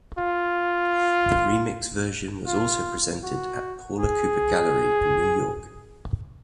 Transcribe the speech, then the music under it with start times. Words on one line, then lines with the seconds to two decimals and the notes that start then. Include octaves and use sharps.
The remix version was also presented at Paula Cooper Gallery in New York.
0.19 F4
2.48 F4
3.24 F#4
4.00 G#4